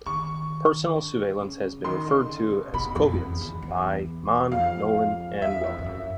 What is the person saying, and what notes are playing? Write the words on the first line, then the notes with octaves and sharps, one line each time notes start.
"Personal sousveillance" has been referred to as "coveillance" by Mann, Nolan and Wellman.
D#3 C#6
D3
C#3
D#3 C6
D3
C#3
B2
B2 B5
F2
E2
E2
E2
F2 F5
E2 E5
F2
F2
F#2